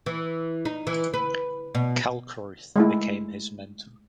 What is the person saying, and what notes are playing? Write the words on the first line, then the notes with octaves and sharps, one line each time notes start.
Kalckreuth became his mentor.
E3
D#4
E3
B4
B2
G#3 A3 E4